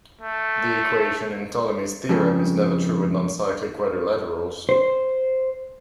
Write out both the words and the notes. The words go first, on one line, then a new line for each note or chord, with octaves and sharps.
The equation in Ptolemy's theorem is never true with non-cyclic quadrilaterals.
A3
F2 G#2 C#3
C5